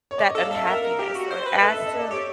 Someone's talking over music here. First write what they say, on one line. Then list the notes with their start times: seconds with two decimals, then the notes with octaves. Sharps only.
that unhappiness or adds to,
0.11 C#5
0.18 D5
0.30 D#5
0.35 A4
0.42 F5
0.51 A4 E5
0.67 A#4
0.82 A#4
0.99 G4
1.15 F#4
1.31 C5
1.46 B4
1.54 D#5
1.62 A4 E5
1.75 E5
1.86 D#5
1.99 D5
2.11 G4 C#5